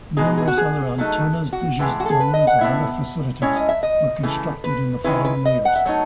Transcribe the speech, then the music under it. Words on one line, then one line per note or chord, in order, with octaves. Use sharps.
Numerous other antennas, dishes, domes, and other facilities were constructed in the following years.
B2 G#3 D#4 G#4
G#4
F#4
G#4
F#3 A3 D#4
F#4
A2 E3 G#3 B4
F#4
A4
G#4
B4
D#5
F#5
A2 F#3 B3 E4 E5
A2 G#3 C#4 E4 C#5
D#5
E5
D#5
C#3 E3 A3
B4
D#3 G#3 C#4 E4 B4
B4
D#5
F#5
E5
F#3 A3 D#4 C#5